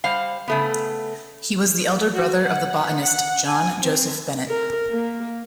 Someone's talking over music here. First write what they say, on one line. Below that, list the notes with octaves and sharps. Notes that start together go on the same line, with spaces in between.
He was the elder brother of the botanist John Joseph Bennett.
G3 C5 F5 F#5
C#3 A3 B3
F#4
F#5
F#5
G#5
C4
A#4
A#3